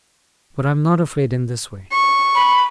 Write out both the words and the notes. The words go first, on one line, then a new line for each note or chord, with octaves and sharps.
But I'm not afraid in this way.
C#6
B5